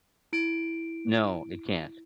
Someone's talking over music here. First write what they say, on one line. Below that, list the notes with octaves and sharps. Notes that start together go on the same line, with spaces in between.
No, it can't.
E4 D7